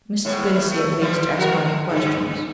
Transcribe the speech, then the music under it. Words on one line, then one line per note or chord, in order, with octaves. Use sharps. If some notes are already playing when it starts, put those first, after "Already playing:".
Mrs. Bittacy, at least, asked no more questions.
D#2 A2
A3
E3 F3 G3
F3 F#4 A#4
G#2
G2